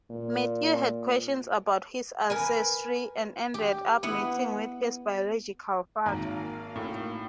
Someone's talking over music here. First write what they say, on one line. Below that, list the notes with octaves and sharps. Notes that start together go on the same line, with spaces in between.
Matthew had questions about his ancestry and ended up meeting his biological father.
A#2
A#4 B4 G#5
G4
B3 E4 F#5
G#1 A#3 A#5
A2